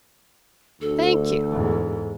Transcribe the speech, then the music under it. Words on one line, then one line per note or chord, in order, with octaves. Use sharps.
'Thank you.
D2 A4
E2 G#2